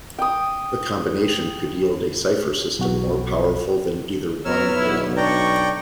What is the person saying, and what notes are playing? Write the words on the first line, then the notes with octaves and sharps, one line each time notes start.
The combination could yield a cipher system more powerful than either one alone.
G5 D#6
B1 B2 F#4
B3 A#4 C#5 E6 F6
B1 E4
D4 D5 G5 A#5 C#6